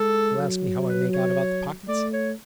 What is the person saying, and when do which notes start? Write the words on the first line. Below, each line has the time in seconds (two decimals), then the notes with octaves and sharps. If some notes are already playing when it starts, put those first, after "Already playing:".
You'll ask me how I make out about the pockets?
Already playing: G#3 A4
0.38 F#3
0.89 B4
1.14 C#5
1.88 A3 D5
2.13 C#5